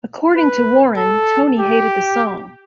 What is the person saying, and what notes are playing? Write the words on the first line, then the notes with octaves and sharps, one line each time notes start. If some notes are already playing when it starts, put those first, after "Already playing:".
According to Warren, Toni hated the song.
B4
A4
G4